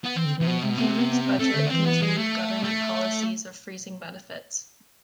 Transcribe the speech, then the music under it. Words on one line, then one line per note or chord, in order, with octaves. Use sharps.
Hammond's budget continued government policies of freezing benefits.
B3
E3 C4
D3
E3
C3
B2 F3
C3 G#3
B2
C3 B3
C4
B3
B3
C4
A3 C4
D3
D4
E3 C4
B3
G#3
A3
A3